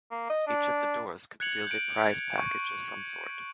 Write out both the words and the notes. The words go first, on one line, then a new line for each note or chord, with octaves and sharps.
Each of the doors conceals a prize package of some sort.
A#3
D#5
D4
F#6 G#6 C#7 F7 F#7
G6 D7
C#6